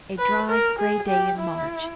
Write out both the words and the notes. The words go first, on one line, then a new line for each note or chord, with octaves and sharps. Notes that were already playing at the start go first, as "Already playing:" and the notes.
A dry, grey day in March.
B4
A#4
G#4
G4
E4